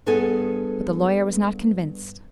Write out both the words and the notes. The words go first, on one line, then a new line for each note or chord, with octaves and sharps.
But the lawyer was not convinced.
G2 B3 G#4 A4 G#5